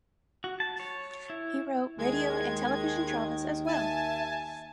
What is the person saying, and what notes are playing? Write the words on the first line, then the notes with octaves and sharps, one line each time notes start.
He wrote radio and television dramas as well.
F#4
A5
C#5
E4
D#2 D#3 G#3 G#6
E5 G#5 A5